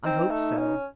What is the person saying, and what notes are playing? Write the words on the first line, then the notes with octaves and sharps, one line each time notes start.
"I hope so."
C4 D#4
A3
C#4